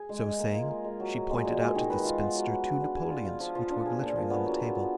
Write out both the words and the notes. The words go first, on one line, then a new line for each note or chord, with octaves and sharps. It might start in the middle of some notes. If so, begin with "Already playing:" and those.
So saying, she pointed out to the spinster two napoleons which were glittering on the table.
Already playing: G#4
G#3
G#3
A#3
F4
A#4
G#3
F#3
F#3
G#3
A#2
G#3
D#3
B4
F4
B3
F#3
B4
F4
D4
G#4
F4
F4
F3
F3
D4
G#4
A#2
F3
B3
F#3
F4
F4